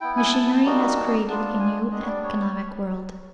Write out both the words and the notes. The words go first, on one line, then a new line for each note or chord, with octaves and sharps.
Machinery has created a new economic world.
B3 E4 G5
G#5
A5
G3 A#3 D#4 F#4
A5
A5
A#5
B3 D4 F4 A5
A5
G#5
G3 B3 D4 D#5
C#5
D5
C#5